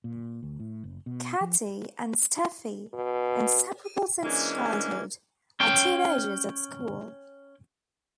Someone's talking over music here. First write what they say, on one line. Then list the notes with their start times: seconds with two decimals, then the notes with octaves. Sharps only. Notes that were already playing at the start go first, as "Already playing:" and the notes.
Kati and Steffi, inseparable since childhood, are teenagers at school.
0.04 A#2
0.43 D2
0.60 A2
0.84 F#1
1.06 B2
1.41 F3
2.94 B2
4.25 E3 G#3 A#3 C#4 D4
5.60 C#4 G5